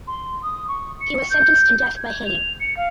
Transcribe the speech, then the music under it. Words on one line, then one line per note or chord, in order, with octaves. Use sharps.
He was sentenced to death by hanging.
C6
D#6
C#6
C#7
G6
G#6
F7
C#7
F5